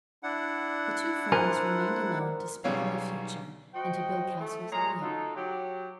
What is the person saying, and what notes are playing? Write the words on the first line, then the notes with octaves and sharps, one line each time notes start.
The two friends remained alone to speak of the future and to build castles in the air.
D4 E4 F#5
A#4 C5 G#5
B1 C#3 G3 C#5 F5
F#4 C5 D#5 G5
A3
A#2 G#3 G#4 C#5 A#5
A3 D#4 F4 F#4 A4
F#3 G4